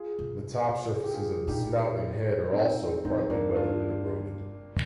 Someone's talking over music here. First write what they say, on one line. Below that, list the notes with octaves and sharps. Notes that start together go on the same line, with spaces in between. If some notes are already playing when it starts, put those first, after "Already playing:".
The top surfaces of the snout and head are also partly weathered and eroded.
Already playing: F4 G#4
C3
G#4
G4
F4 G#4
A#2 D#4 G4
C4 D#4
A#2 C4 D#4
G2 A#3 D4
D4 F4